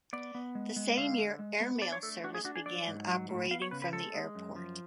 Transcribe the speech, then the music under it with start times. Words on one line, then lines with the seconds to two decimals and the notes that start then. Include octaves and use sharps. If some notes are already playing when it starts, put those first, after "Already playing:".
The same year airmail service began operating from the airport.
0.13 B3 D5
0.35 B3
0.55 G#3
0.76 G#3
0.97 D3 F5
1.18 D3
1.39 G#3
1.60 B3
1.82 D4 D5
1.92 C#5
2.03 A3 A4
2.24 D4 F#4
2.35 G#4
2.45 D4 F#4
2.56 G#4
2.66 F#3 D5
2.87 G#2
3.08 F#3
3.29 A2
3.51 B3 F5
3.62 C#5
3.71 C#3 B4
3.82 B4
3.93 G#3 A4
4.14 G#3
4.35 F#2
4.56 F3